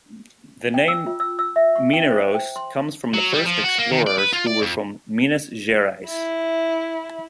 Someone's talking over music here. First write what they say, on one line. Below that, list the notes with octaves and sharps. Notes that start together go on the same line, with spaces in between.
The name "Mineiros" comes from the first explorers who were from Minas Gerais.
G5
E6
F4
E6
E6
E5
C#6
G5
C5
G5
C6
F#3
G3
F3
F#4
A#3
D#3
D5
B4
F4
D5
F2
E4